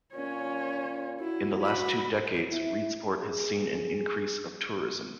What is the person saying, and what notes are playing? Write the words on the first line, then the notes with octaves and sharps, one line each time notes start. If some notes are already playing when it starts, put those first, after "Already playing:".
In the last two decades, Reedsport has seen an increase of tourism.
A#2 C#4 C#5
E4 F#4
B5
E4
G#4